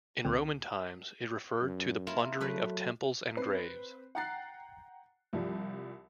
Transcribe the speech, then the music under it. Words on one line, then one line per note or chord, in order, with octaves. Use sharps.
In Roman times it referred to the plundering of temples and graves.
C#2 D3 C4
F#2
A#3 E4 F4
F#3 A3 B4 D5
C4 B4 C7
F#5 G5 A#5 F#6 A6 C7
C2 F3 G3